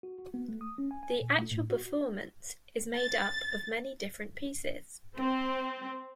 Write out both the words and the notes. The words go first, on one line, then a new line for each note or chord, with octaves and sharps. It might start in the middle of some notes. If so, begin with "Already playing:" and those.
The actual performance is made up of many different pieces.
F#4
F#4
B3
A3
D#6
C#4
G#5
G#5
A#2
A3
A2
F#4
A6
C4